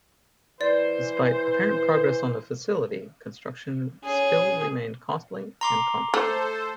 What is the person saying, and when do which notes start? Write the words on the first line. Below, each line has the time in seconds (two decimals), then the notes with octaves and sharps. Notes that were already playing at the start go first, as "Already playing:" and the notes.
Despite apparent progress on the facility, construction still remained costly and complicated.
0.61 E3 B4 C5 D5
4.05 C#4 G#4
5.61 A#5 C6 D6
6.14 A3 A4 C5